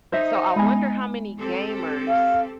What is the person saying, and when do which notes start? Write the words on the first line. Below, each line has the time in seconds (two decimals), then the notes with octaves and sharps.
So I wonder how many gamers
0.12 D#4 C5 D#5 E5
0.56 G#3 B3 G#5 B5
1.38 C4 G4 A4
2.09 F5